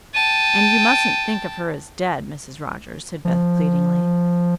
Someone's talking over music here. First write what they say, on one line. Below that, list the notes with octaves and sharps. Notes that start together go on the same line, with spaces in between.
"And you mustn't think of her as dead, Mrs. Rogers," said Beth, pleadingly.
G5 A5 D#7
F3